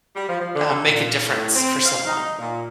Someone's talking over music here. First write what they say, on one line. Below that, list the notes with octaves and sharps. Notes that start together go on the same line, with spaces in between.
uh, make a difference for someone?
G3
F3
F3
D3
A#2
A2
C4
F5
D#4
A#2